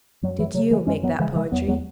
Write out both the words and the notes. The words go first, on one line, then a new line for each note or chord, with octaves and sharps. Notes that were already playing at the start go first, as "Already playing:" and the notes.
"Did you make that poetry?"
F#2 F#3
E3
C#3 F#3
E3 G#3
F#2 G#3 C#4
F#3 B3
C#3 E3 G#3
E3 G#3
E2 F#3 B3
F#3 B3